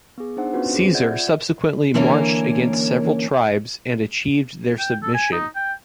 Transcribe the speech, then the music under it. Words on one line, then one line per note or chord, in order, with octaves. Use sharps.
Caesar subsequently marched against several tribes and achieved their submission.
B3 G#4
D4 D#4 C5 F#5
B3 C#4 D4 F4 F#4 B4
C4 G#4 C5
F4 D5 E5 F#5 G6 G#6
D3 E3 A#3 C#4 A#4 C#5
G5
A4
G#5
D#4
G5